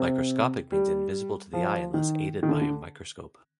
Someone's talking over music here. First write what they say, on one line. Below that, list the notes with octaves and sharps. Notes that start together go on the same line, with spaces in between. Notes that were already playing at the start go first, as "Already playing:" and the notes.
Microscopic means invisible to the eye unless aided by a microscope.
Already playing: C3
G3
F3
D#3
D#3
D3
D3